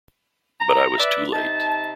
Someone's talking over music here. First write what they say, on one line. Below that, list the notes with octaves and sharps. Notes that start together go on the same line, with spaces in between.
But I was too late.
A#5
B4 D5 E5
C3 D#4 A5